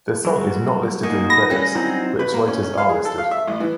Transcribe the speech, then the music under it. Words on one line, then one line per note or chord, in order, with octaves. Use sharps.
The song is not listed in the credits, but its writers are listed.
F#3 G3 F#4 G#4
A#3 D#4 F#4 G#4
B5 A#6
G3 C#4 A#4 F5 G5
F#3 C4 D#4 E4
B4
A#3
C#4
C#4
F5
G#4
A4
F5
E5
A1
E3